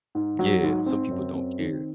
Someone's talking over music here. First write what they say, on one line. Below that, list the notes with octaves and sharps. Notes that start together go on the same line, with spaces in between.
yeah, some people don't care.
G#2
F#3
G#2
C4
F#2
C4
D#3